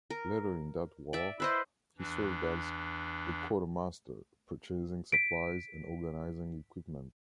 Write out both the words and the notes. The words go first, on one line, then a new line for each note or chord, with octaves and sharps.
Later in that war, he served as a quartermaster, purchasing supplies and organizing equipment.
A#4
D5 E5
E4 B4 C5 D#5
E2 E3 D4
B6 D7